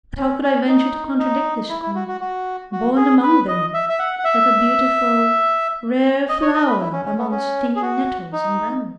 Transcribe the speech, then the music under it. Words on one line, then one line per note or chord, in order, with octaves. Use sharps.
But how could I venture to contradict this Queen, born among them, like a beautiful, rare flower among stinging nettles and brambles?
C#4
C#4
D#4
D#4
E4
E4
F#4
F#4
F#4
F#4
G#4
B4
D#5
E5
E5
F#5
F#5
E5
D#5
C#5
D#5
B4
E4
C#4
C#4
B3
C#4
G#4
F#4
D#4